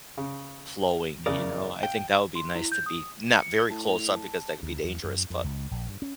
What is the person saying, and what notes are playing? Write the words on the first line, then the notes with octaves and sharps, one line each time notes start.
flowing, you know, I think that would be nice to be not very close-up because that could be dangerous, but
C#3
E2 C#3 A#4 D5 D#6
F5 G5
C6
E4
G6
D#6
C#7
A2 A5
F7
A5
D2
E2
F#2
F2
C#2
A#1
G2
C#4